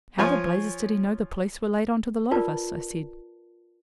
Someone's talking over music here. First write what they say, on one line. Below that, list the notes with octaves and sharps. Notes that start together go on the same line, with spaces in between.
'How the blazes did he know the police were laid on to the lot of us?' I said.
F3 F4 C#5 G#5
F4 A#4 B4 D5 A5